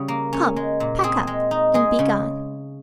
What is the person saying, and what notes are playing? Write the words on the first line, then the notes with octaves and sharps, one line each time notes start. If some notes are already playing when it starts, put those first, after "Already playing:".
Come! pack up; and begone.
Already playing: C#3 G3
A#3
C#4
G#3
A#2
C4 G#4
G#3
D#4
G#3 G#4
C#3